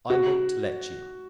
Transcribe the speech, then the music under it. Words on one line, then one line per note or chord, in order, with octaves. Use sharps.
I won't let you.
F#4